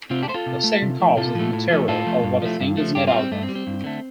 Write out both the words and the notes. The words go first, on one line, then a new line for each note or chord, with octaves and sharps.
The second cause is the material, or what a thing is made out of.
C3 C4 F4
D4 G4
A3 C5
F4 A4
C3
A3
C3
F3 A3
C3 F4 A4
F3 A3
A2
F3 A3
A2 F4 A4
F3 A3
G2
F3 A3
G2
F3 A3
G2 D4 G4
C4 F4
G3
C4
G2 A3
C4
G3
C4
G2
D3 A3